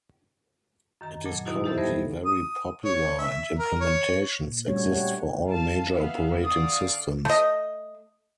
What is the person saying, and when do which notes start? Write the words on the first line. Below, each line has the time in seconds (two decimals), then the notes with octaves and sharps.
It is currently very popular and implementations exist for all major operating systems.
1.01 F#2 D#3 A#5
1.25 F2 A#2 F#3
1.45 F#2 B2 D#3 D#4 E4 F#4
1.64 D#4 E4 G4 A4 C5 E5
1.78 F2 G3 B3 G4 C5 A6
2.26 D#6
2.85 C#5
3.19 E5
3.59 A#4
3.81 C#5
4.46 A#2
4.68 G3 A3 C#4 D4 F#4 C#5
4.92 F#4 G4 C#5 F#5
5.48 F5 A5
5.88 B3 E5 F5
6.44 D3 D5 F5 D#6
7.25 A3 D#5